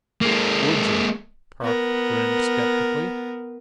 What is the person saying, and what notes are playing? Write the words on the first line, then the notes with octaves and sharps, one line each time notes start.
"Would yuh?" Park grinned skeptically.
G#3 A#3
B3 A#4